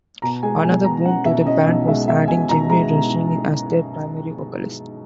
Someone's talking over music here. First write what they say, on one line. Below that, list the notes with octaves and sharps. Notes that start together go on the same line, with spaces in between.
Another boon to the band was adding Jimmy Rushing as their primary vocalist.
B2 A#5
G#3 G#5
B2 G#5
B2 A#5
C#4 F#5
B2 E5
C#4 D#5
B1 D#5
G#3 E5
B2 E5
B2 G#5
B2 A#5
G#3 A#5
B2